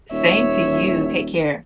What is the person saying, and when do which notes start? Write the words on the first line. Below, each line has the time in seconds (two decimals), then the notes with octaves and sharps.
Same to you. Take care.
0.12 D#1 C#5 E5